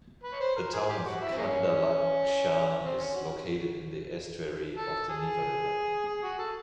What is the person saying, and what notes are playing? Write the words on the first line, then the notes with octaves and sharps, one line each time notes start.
The town of Kandalaksha is located in the estuary of the Niva River.
B4
C#5
C5
A#4
G#4
G4
F#4
E4
C4
G#3 A#3 C#4
C4
C#4
F#4
A4
G#4
G#4
F#4
A4